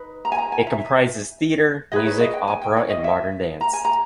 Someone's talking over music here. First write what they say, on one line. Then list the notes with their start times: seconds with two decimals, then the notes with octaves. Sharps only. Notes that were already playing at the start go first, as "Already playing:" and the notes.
It comprises theatre, music, opera and modern dance.
Already playing: D#4 B4
0.25 A#5
0.32 G#5
0.38 A#5
0.52 G#5
0.67 E5
1.92 D#4 G#4 B4 D#5
2.07 C#5
2.21 D#5
2.34 G5
2.48 G#5
2.62 G5
2.77 C#5
2.90 D#5
3.04 E5
3.61 A#5
3.73 G#5
3.85 A#5